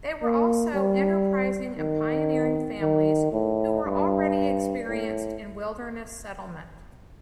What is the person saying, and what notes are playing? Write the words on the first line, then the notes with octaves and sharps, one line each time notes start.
They were also enterprising and pioneering families who were already experienced in wilderness settlement.
A#3
G3
D#3
D#3
A2
G2
A2